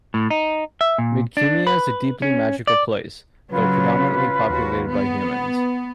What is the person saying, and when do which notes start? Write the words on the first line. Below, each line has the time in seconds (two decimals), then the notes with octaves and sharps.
Midkemia is a deeply magical place, though predominantly populated by humans.
0.14 A2
0.30 D#4
0.81 E5
0.98 A#2
1.37 D4
1.67 B4
2.22 C#4
2.67 D5
3.50 C#3 F#3 F4 B4
4.47 D#2 F#4
4.88 B3